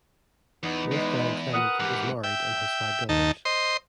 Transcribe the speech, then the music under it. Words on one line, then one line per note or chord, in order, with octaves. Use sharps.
Wolfgang Clement is married and has five daughters.
E2 B3 D#4
E2 G#3
A#4 B4 F#5 D#6
G#2 E3 G4
E5 G5
D#2 D#4 A5
C5 D#5 C6